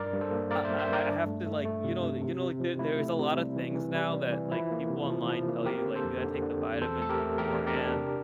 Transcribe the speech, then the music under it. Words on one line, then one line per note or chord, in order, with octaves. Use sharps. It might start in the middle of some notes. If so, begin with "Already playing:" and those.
I I I have to, like, you know the you know, like there there's a lotta things now that, like, people online tell you, like, you had to take the vitamins beforehand.
Already playing: G2 A#4 D5
G2
A4 C5
A#3
A#3 A#4 D5
C5 E5
G2
C5 E5
G2 A#4 D5
D4
A3
A3
A3
C3
C3
C3
C3
F3
A3 E4
A3
C3
G3
E3
E3
G3
E3
E3
F3 E4
A#3
C3
F3
F3
A#3
C4 G4 A#4
D3
A4 C5
F2
D3
D3
C4
E2 A4 C5
A3 A4
G4 A#4
A3
E2 G4 A#4
D4
G4 A#4
D4
C3